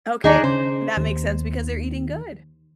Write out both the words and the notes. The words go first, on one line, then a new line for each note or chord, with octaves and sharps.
Okay, that makes sense because they're eating good.
D#2 D4 D#4 G#4
C#3 C5
D#2